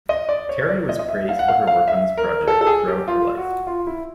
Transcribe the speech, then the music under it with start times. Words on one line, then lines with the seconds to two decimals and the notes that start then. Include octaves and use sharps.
Terry was praised for her work on this project throughout her life.
0.09 D#5
0.29 D5
0.49 C#5
0.68 D5
0.89 D#5
0.99 D#5
1.08 E5
1.29 F5
1.39 F#5
1.48 F5
1.67 F5
1.88 E5
2.17 A#4
2.48 A4
2.61 A4
2.67 G#4
2.88 G4
3.08 F4
3.37 F#4
3.67 F4
3.87 E4